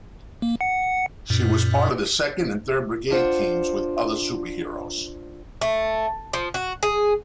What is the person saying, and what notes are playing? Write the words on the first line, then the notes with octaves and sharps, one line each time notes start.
She was part of the second and third Brigade teams with other superheroes.
A#3
F#5 C#7
F#2 A#2
D4 F4 C5 F#5
A3
F3
F#4
G#4